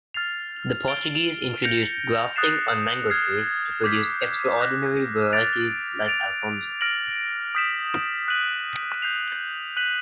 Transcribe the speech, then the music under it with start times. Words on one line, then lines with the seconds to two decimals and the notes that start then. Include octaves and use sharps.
The Portuguese introduced grafting on mango trees to produce extraordinary varieties like Alphonso.
0.14 F6 A6 C7 F7
0.88 A6 D7 G7
1.62 G6 A#6 C#7 F7
2.36 D#6 F#6 A6 C7 E7
3.10 F6 G#6 C7
3.84 D6 G6 B6
4.58 D6 F#6 A#6
5.33 D6 F6 A6 D7 F7
6.06 A6 D7 F7
6.81 F6 A#6 D7 F#7
7.55 D#6 G6 B6 E7
8.28 F#6 B6 D#7 F#7
9.02 G6 C7 F7
9.77 F#6 B6 D#7 F#7